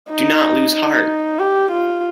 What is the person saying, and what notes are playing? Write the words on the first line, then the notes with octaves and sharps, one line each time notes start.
Do not lose heart!
D#4
D#4
G4
F4